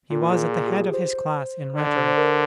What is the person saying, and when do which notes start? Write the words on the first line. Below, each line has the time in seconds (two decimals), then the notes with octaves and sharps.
He was at the head of his class in rhetoric.
0.11 A#2 F4
0.31 G#4
0.52 G#4
0.67 G4
0.73 G#4
0.93 C5
1.75 D3 D5
1.96 C5
2.08 C5
2.17 A#4